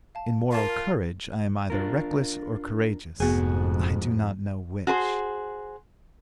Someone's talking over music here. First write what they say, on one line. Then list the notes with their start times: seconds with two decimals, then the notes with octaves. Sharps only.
In moral courage I am either reckless or courageous, I do not know which.
0.15 F5 A5
0.52 F4 A#4 F5 A5
1.70 D4 F4 A#4
3.20 F1 F2 G#2 B3 F#4 G#4 G#5
4.87 F#4 G#4 B4 C5